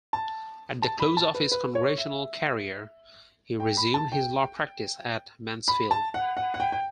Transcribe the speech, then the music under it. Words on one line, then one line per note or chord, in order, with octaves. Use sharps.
At the close of his Congressional career, he resumed his law practice at Mansfield.
A5
A5
B5
A5
B4
B4
C#5
E5
G5
B5
A5
G5
B5
A5
F#5
F#5
F#5
G5
G5